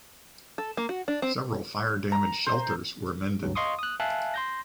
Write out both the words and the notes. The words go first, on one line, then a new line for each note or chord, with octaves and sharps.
Several fire-damaged shelters were mended.
A4
A#3
F#4
D4
C4
A#5
C5
C#2 G2 F#3
D#5 F5 C6 C#6 D#6
D#6 F#6
E5 F5 G#5 A5 F#6
C6 G6 A#6